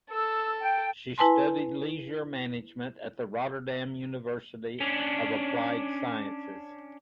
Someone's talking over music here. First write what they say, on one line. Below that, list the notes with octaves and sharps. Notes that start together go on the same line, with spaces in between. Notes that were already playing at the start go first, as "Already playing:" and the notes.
She studied leisure management at the Rotterdam University of Applied Sciences.
A4 E6
G5
E4 B4 G#5 A5 C6
C#4 D4